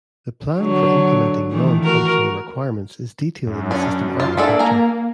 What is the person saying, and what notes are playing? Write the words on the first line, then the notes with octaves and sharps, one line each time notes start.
The plan for implementing "non-functional" requirements is detailed in the system "architecture".
D3 F#3
D#3 E3 A3
F#4 A#4
F#2
C#4 D4
F4
A3 A#3 D4 A4
G#5 A#5